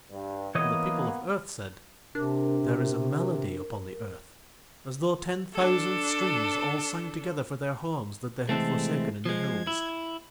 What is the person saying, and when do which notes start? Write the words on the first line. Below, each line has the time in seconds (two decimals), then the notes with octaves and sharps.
And the People of Earth said: "There is a melody upon the Earth as though ten thousand streams all sang together for their homes that they had forsaken in the hills."
0.11 G2
0.55 E3 A#3 B3 C#5 D#5
2.15 C3 D4 A#4
5.53 D4 A4
8.49 C3 E3 G#3 A3 C4 A4
9.25 F3 G#3 G#6
9.67 E4